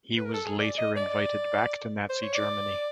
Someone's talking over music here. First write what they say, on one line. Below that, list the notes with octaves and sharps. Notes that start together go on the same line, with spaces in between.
He was later invited back to Nazi Germany.
B4
A#4
A4
G#4
D5
D#5
D5
C5
C#5
D5